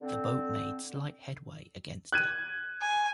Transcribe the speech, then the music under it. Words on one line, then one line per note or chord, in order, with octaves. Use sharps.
The boat made slight headway against it.
D3 C4
F#6 G#6 D#7
G#5